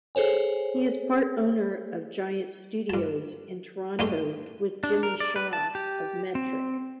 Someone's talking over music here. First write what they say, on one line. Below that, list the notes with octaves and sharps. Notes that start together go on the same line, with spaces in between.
He is part owner of Giant Studios in Toronto with Jimmy Shaw of Metric.
G#4 A4 C5 C#5 G#5
G2 A5
G2 G#3 A3 D#4 G4
D4
A#4
D5
B4
A5
G4
C4